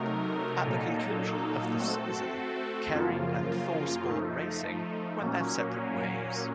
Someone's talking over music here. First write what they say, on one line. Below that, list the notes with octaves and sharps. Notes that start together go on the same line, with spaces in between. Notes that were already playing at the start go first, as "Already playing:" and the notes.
At the conclusion of the season, Kerry and ThorSport Racing went their separate ways.
Already playing: C3 F#3 A3 D#4 A#4
A#2 F#3 A#3 D#4 A4
A3 C4 F#4 A4
F#2 C#3 F3 A#3 F4
F3 A3 D#4
A#2 F#3 A#3 C#4